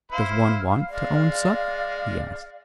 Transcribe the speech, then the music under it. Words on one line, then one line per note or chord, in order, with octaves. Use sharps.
"Does one want to own soot?" he asked.
E4 C5 F5 F6
G#3 D5